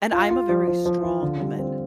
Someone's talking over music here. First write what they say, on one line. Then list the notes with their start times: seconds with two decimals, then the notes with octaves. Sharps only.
And I'm a very strong woman
0.12 F4
0.31 F4
0.49 F3
0.68 F3
0.86 F3
1.03 F4
1.22 D3
1.41 G3
1.59 C4